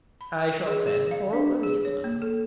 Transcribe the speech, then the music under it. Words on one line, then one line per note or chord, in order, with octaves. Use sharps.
"I shall send for a policeman."
B5
G#4
G#4
F5
D4
G#4
C#5
A#3
A4